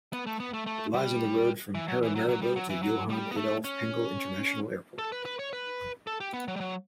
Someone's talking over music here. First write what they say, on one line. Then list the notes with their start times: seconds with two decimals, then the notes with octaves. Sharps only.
It lies on the road from Paramaribo to Johan Adolf Pengel International Airport.
0.13 B3
0.27 A3
0.40 B3
0.54 A3
0.67 A3
0.94 G3
1.75 E3
1.88 F#3
2.02 E3
2.15 F#3
2.29 F#3
2.42 G3
2.56 F#3
2.70 E3
2.83 F#3
3.10 G3
3.31 B3
3.37 A3
3.64 C#4
4.99 A4
5.12 B4
5.25 B4
5.39 C#5
5.53 B4
6.07 A4
6.20 G4
6.33 B3
6.48 F#3
6.56 G3
6.60 F#3